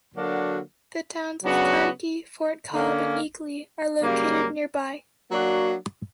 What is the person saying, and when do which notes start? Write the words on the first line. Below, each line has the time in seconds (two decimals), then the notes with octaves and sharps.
The towns of Carnegie, Fort Cobb, and Eakly are located nearby.
0.15 D3 F#3 A#3 D4 F#4
1.43 C#3 F#3 B3 D4 F#4
2.73 D3 A#3 C#4
4.02 F#2 C#3 G3 A#3
5.30 F#3 A#3 D4 F#4